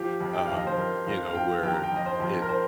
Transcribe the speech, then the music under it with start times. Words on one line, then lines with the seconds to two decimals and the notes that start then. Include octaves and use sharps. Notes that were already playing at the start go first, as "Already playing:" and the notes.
um, you know, where it
Already playing: F3 G4
0.21 F2
0.33 G5
0.45 F2 F5
0.56 D#5
0.67 C5
0.78 F2 A#4
1.06 F2 F5
1.26 F5
1.35 F3 G5
1.63 F2 G5
1.73 A#5
1.84 G5
1.92 F2 D#5
2.06 C5
2.20 F2
2.42 A#4
2.49 C5